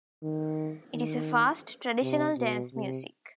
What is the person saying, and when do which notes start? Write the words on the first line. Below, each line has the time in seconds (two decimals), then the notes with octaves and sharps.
It is a fast, traditional dance music.
0.23 D#3
0.95 D#3
2.02 C3
2.38 B2
2.74 C3